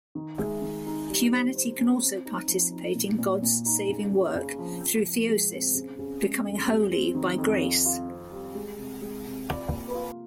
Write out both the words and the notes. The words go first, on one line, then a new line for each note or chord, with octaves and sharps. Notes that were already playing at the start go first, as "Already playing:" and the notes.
Humanity can also participate in God's saving work through theosis; becoming holy by grace.
D#3
G#3
D#3
D#4
G3
C5
C5
C#4
C4
D#4
F3
D#4
A#2
A#2
A#2
D#4
C#3
C#3
C#3
F3
F3
F3
G#3
C4
C#3
C#3
G#3
F2
G3
C4
D#3
F2
F4
F4
C4
G3
G#3
C3
G#3
C3
F4
A#3
F4